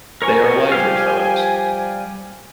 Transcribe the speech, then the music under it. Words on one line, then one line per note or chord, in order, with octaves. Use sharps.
They are lively fellows.
F3 A#4 C#5 G5 G#5 C#6
G3 G4 F5